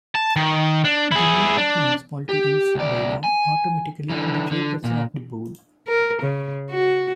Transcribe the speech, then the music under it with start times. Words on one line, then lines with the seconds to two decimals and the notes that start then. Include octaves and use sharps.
The Mayor of the municipality is, by law, automatically the Chairperson of the board.
0.15 A5
0.36 D#3
0.85 D4
1.11 E4 G#4
1.57 D4
2.29 G4
2.75 C#2 D5
3.24 G#5
4.10 D3 E3
4.51 D3
4.84 A#2
5.87 A#4
6.22 C#3
6.71 F#4